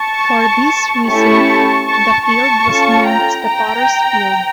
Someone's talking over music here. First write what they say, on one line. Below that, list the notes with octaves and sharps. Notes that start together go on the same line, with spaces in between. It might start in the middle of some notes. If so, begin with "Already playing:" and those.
For this reason the field was known as the Potter's Field.
Already playing: A5 C#6
A3 C#4 E4 G4 A5 C#6
A5 C#6
A5 C#6
C#4 F4 A4
G5 A#5
G5 A#5